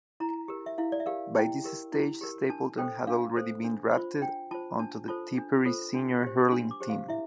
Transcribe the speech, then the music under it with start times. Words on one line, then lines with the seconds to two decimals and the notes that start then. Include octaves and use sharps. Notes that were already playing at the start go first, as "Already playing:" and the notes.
By this stage Stapleton had already been drafted onto the Tipperary senior hurling team.
0.20 E4 A#5
0.48 G4 A#4
0.66 E5
0.78 E4 F5
0.92 D5
1.00 E5
1.06 G4 A#4 F5
1.36 E4 G5
1.64 G4 A#4
1.93 E4
2.21 G4 A#4
2.49 D4 A5
2.78 A4 C5 G5
3.07 D4 F5
3.36 A4 C5
3.64 D4
3.93 F4 C5
4.21 D4 G5
4.51 F4 C5 A5
4.79 D4 A5
5.08 F4 A4 C5 A5
5.37 D4
5.65 F4 A4 C5
5.95 D4
6.23 G4 C5
6.52 D4 C6
6.71 D6
6.80 G4 C5
6.90 F5
7.08 E4 E5